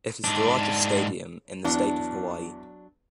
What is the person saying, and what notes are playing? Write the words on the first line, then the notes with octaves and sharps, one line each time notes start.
It is the largest stadium in the state of Hawaii.
G#2 D4
E2 F#3 D4